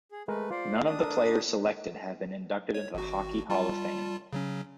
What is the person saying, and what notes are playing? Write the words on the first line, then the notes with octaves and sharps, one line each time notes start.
None of the players selected have been inducted into the Hockey Hall of Fame.
G#4
G#3 A3 A#4 B4
F4 C5 D5
D4 D#6
A4 A#4
C#5
G#1 F#4
G3 F4 A5
C#3 F#3 C#4